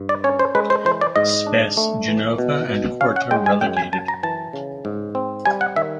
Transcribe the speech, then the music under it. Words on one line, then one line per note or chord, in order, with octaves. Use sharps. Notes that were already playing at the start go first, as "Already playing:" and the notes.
Spes Genova and Quarto relegated.
Already playing: G2
D5
C#4 C#5
C5
G#3 B4
C5
E3 C5
D5
G#2 D#5
D4
A3
E3
B2
B2
C#4 F5
F#5
G#3 G5
G#5
F#2 G5
G#5
F#2 A5
A#5
E3 A5
C#3
G#2
C4
G3 G#5
F#5
D#3 E5